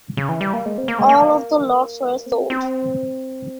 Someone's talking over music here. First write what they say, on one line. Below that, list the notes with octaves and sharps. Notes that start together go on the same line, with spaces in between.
All of the lots were sold.
C#3
E3
G3
A#3
G#3
C4
A#3
G#3
A#3
C4
C4